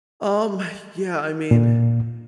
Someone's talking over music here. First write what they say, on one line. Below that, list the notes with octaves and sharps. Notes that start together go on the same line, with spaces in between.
Um, yeah. I mean,
A#2